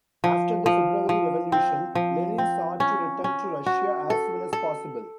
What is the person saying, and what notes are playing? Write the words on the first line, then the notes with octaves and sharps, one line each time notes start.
After the February Revolution Lenin sought to return to Russia as soon as possible.
F3
F3
F3
C4
F3
C4
C#4
C#4
F#4
A4
A4